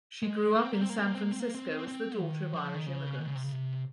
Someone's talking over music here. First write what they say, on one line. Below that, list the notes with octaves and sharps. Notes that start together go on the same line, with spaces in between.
She grew up in San Francisco as the daughter of Irish immigrants.
G#3
A#3
C4
A#3
C4
A#3
C4
A#3
C4
A#3
C4
A#3
C4
C4
D#3
F3
D#3
C#3
D#3
C#3
C3
C#3
C3